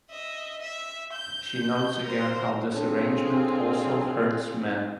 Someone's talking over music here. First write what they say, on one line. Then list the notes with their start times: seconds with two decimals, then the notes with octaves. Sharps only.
She notes again how this arrangement also hurts men.
0.10 D#5 E5
0.61 E5
1.13 G6
2.03 A#4 C5
2.74 C4 D4 F4 G#4 A4 C#5